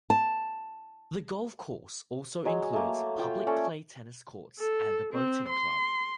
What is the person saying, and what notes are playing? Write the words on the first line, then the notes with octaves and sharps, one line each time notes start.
The golf course also includes public clay tennis courts and a boating club.
A5
F#3 G#3
A3 A#3
F4 E5 G5
C#4 A4 C#5 D5
A4
C4
C6